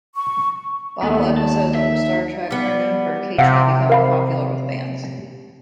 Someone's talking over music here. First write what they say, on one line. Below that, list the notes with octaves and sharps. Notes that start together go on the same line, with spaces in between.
Bottle episodes from "Star Trek" are known for occasionally becoming popular with fans.
C#6
D#2 B3 A4
A#3 A5
D#4 E5
G3 B3
C3 F5 F#5 E6
A#4 F5 B5